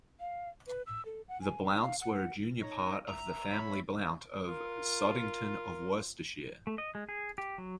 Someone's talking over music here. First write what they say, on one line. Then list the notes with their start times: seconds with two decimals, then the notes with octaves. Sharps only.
The Blounts were a junior part of the family Blount of Sodington of Worcestershire.
0.20 F5
0.67 B4
0.87 E6
1.05 A4
1.28 F#5
1.42 G#5
1.68 G5
1.81 F5
2.01 F#5
2.62 D#4 C#5 A#5
3.09 E5 A#5
3.51 C#5 E5 B5
4.48 F4 A#4
6.67 A3
6.78 D#5
6.95 G#3
7.09 G#4
7.38 G4
7.58 F#3